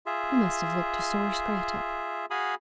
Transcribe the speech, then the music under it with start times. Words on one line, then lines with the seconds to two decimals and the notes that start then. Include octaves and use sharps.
I must have looked a sore scrattel.
0.06 F4 G#4 E5
2.30 F#4 G#4 F5 G#5 B5 D#6